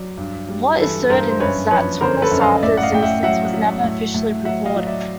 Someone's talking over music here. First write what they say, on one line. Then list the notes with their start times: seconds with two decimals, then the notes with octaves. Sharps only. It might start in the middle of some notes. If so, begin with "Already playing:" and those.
What is certain is that Thomas Arthur's innocence was never officially recorded.
Already playing: F#3 D5
0.18 G2
0.49 G3
0.79 E3 A4 B4
1.10 G2 A#4 C5
1.30 C5
1.40 F#2 B4 C#5
1.71 F3 B4 C#5
2.01 D3 A#4 C5
2.22 A4 B4
2.31 F#2
2.41 D#5 F5
2.63 A2 D5 E5
2.77 F#5
2.82 D#5 F5
2.92 A2 G5
3.02 E5 F#5
3.23 F#3 E5 F#5
3.53 F#3
3.84 A2
4.14 A2
4.45 F#3 E5 F#5
4.66 D#5 F5
4.76 F#3
4.87 D5 E5